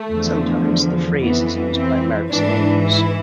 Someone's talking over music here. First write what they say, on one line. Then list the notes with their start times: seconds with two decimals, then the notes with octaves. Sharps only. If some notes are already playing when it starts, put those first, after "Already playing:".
Sometimes the phrase is used by Marx and Engels.
Already playing: A3
0.10 E2 D3 F3
1.21 F2 E3 B3
1.76 C4
2.31 G#2 E3 D4
2.86 E4